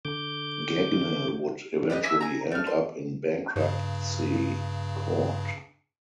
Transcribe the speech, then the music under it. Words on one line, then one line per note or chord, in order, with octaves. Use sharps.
Gagne would eventually end up in bankruptcy court.
D3 D6 G6
G4 B4 D5 D#5
G#4 B4 E5 E6
G#5 A#5
A3 F6
C6
G2 C#3